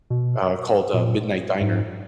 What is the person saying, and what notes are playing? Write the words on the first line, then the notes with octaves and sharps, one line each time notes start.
uh, called, uh, Midnight Diner,
B2
A#2
G#2